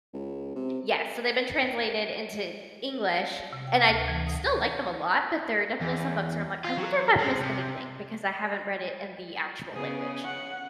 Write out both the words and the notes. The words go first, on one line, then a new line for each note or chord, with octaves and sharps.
Yes, so they've been translated into English, and I still like them a lot, but there are definitely some books where I'm like, "I wonder if I've missed anything because I haven't read it in the actual language."
C#2
C3
C3
G5
D2
E3
D#6
E2
F4
F#3
G#3
C3
C#3 B3 C#4 G#4
F#5